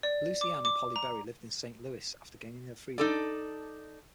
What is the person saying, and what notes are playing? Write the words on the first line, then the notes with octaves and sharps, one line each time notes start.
Lucy Ann and Polly Berry lived in Saint Louis after gaining her freedom.
D5
D6
D6
A#5
D#4 A4 D5